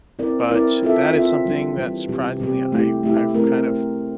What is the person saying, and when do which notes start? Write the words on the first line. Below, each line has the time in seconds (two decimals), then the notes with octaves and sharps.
but that is something that surprisingly I I've kind of
0.19 C4 E4 A#4 D5
0.51 C4 E4 A#4 D5
0.83 C4 F4 A4 E5
1.13 C4 F4 A4 E5
1.45 E3 G3 D4
1.77 E3 G3 D4
2.08 C3 G3 C4 G4
2.40 C3 G3 C4 G4
2.72 A3 E4 G4
3.03 A3 E4 G4
3.34 A3 C4 E4 A#4